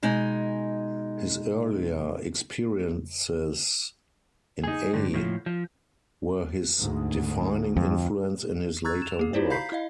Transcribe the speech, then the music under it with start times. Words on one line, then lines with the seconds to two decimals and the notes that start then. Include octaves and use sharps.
His earlier experiences in Ay were his defining influence in his later work.
0.03 B2 G#3 D#4 G#5
4.64 D#4 G#4
4.93 G2 D3
5.14 A2 F3
5.46 F3
6.79 D2 G#2
7.77 F2
8.84 A#5 C#6 E6 F#6 G#6 A6
9.02 E7 F7
9.19 A#3 G#4
9.33 D#4 E4 F#4 G4 C5 D5
9.50 F5 A#5 B5 G6 B6 C7
9.72 E4 D#5 F5